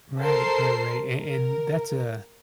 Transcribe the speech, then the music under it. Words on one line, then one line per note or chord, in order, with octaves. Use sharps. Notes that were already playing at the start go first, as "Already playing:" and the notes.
Right, ri right an and that's a
A4 A#4 C5 C7
A#4